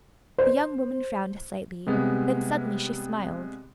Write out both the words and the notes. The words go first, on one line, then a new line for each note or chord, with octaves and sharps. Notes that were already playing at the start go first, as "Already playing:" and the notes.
The young woman frowned slightly; then suddenly she smiled.
C5
C3 G3 G#3 B3